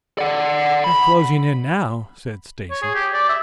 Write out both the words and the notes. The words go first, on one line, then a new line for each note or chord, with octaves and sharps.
"They're closing in now," said Stacy.
D5 F#5
B5
C#5
G#4
G4
D5
E5